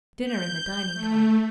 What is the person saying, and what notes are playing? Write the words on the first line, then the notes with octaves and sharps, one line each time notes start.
Dinner in the dining-car.
G6
A3